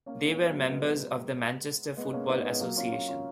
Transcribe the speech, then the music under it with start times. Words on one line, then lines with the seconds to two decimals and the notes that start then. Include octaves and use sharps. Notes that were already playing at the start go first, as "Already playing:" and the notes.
They were members of the Manchester Football Association.
0.06 A#3 C#4
0.28 G#3 B3
0.49 F#3 A#3
0.70 G#3 B3
1.97 G#3 B3
2.13 A#3 C#4
2.29 B3 D#4
2.45 G#3 B3
2.60 F#3 A#3
2.77 C#4 F4
2.92 C#4 F4
3.08 C#4 F4